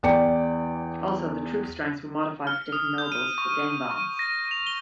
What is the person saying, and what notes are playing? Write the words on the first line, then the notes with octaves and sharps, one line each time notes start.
Also, the troop strengths are modified for different nobles for game balance.
E2 D5 G5 C#7
F6
D#6
G6
D#7
C#6
D#7
C#6
A#6
F7
G7